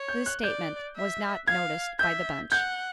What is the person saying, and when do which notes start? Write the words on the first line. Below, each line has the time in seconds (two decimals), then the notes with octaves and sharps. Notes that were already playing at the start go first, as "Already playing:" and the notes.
This statement was not noticed by the bench.
Already playing: C#5
0.08 G6
0.26 F#6
0.43 D5 G6
0.96 E5
1.47 F5 G#6
1.99 E5 G6
2.52 F#5 G6